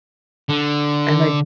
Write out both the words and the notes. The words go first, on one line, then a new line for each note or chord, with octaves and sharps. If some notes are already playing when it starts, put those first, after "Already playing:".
And I
D3